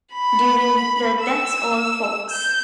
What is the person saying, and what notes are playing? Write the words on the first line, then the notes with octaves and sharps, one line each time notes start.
During the That's all, Folks!
B5
E6
G6